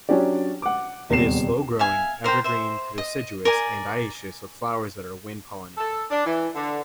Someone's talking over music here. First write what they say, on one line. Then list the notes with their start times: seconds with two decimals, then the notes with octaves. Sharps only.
It is slow-growing, evergreen to deciduous, and dioecious, with flowers that are wind-pollinated.
0.09 F#3 C#4 D4 G4 D5
0.62 F#5 D6
1.10 D#1 E2 C3 G3 C7 E7
1.79 E5 F5 G#5
2.24 A#4 C5 F5 G5
2.44 C5 E5
2.98 D#5
3.45 A#4 D5 G#5
5.78 A4
6.11 D4
6.26 E3
6.54 D3